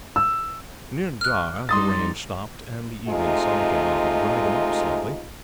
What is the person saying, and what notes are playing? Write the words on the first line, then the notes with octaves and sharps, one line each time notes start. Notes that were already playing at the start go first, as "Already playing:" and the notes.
Near Dhar the rain stopped and the evening sun came out and dried him up slightly.
E6
F6 F#6
G3 D#4 C6 D#6 A6
C3 G#3 A3 D#4 F4